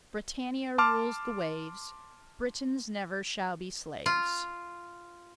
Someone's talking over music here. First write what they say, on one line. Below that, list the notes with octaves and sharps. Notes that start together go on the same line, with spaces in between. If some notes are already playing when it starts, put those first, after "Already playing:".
Brittania rules the waves! Britons never shall be slaves!
A5 C6 D6 F6
F4